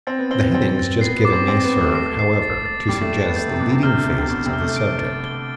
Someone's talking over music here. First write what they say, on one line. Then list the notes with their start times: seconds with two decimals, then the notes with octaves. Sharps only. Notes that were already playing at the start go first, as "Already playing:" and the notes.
The headings just given may serve, however, to suggest the leading phases of the subject.
0.07 C4 A6
0.19 B3
0.31 C4 G7
0.42 B3
0.54 C4 A6
0.78 A6
1.01 B3 C7
1.17 B3
1.25 D6
1.33 C4
1.48 C4 D6
1.64 B3
1.72 D6
1.80 A3
1.95 C7
2.19 C7
2.42 A6
2.66 A6
2.89 G3 D6
3.01 A3
3.13 C7
3.25 B3
3.36 A3 G6
3.48 C3
3.60 B2 D6
3.71 C3
3.83 C3 F6
3.95 D3
4.07 B2 F6
4.18 C3
4.29 B2 F6
4.46 C3
4.53 F6
4.61 A3
4.76 D7
5.00 A6
5.25 G7